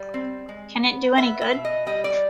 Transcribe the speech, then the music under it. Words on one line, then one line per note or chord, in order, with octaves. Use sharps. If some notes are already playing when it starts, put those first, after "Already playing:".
Can it do any good?
Already playing: G3
C4
G#3
B3
B3 E5
E5
B2
D#5
G3 D#5
D5